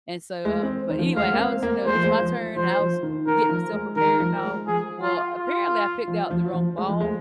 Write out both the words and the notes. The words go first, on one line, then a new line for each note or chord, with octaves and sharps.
and so, um but anyway, I was, you know, it was my turn, and I was getting myself prepared and all. Well, apparently, I picked out the wrong ball
G#3
C4
D#3
F3
G#3 F5
A#3
C4
A#3
G#3 C5
F3
G#3
F3
F3 C5
F3
D#3
D#3 A#4
F3
G#3
D#3 A#4
F3
G#3
F3 G#4
F4
F4
F3
F3
F3
G#3
F3
G#3